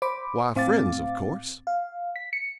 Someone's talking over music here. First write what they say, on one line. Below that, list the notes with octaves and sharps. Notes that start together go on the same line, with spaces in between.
'Why, friends, of course.
C5 B5 D6
A2 C4 F5 D6 A6
F5
B6
C#7